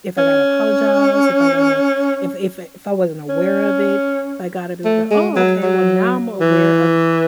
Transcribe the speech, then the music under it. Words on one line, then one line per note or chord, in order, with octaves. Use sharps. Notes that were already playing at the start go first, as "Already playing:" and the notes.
if I gotta apologize, if I gotta if if if I wasn't aware of it, I gotta be like, "Oh, okay, well now I'm aware of
C#4
C#4
A3
G#3
F#3
F#3
E3